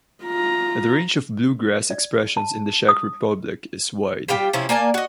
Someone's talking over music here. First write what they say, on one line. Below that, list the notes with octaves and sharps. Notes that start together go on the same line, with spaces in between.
The range of "bluegrass" expressions in the Czech Republic is wide.
F4 A#5
D5
A5
D#6
G3 F4 G4 G5
C3 F3 C#4 E4
A#3 D5 G#5 A5
F#4 D#5